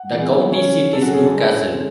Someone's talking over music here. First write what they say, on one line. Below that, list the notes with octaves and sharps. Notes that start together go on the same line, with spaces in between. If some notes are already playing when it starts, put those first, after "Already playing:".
The county seat is New Castle.
Already playing: F#5
E3 G#3 B3
C#3 F#3 C#4 C#5
C#3 F#3 C#4 A4
F#4
G#4
A4
D3 G#3 C#4
D3 G#3 C#4